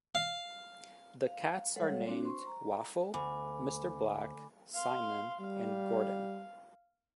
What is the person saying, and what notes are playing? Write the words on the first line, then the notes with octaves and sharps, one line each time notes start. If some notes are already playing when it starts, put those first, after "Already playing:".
The cats are named Waffle, Mr. Black, Simon, and Gordon.
F5
F5
G3 G#3 A4 C#5 F5 F#5
C4 D4 F#4
C5 C6 C#6
A#5
D2 G#5 B5 D6
F5 C6
G3 F5